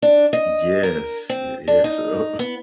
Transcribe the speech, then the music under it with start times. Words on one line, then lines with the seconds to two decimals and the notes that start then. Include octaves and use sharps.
Yes, y yes, a a uh,
0.02 D4
0.33 D#5
0.83 A#4
1.29 C4
1.67 D4
1.84 D#4
2.39 B3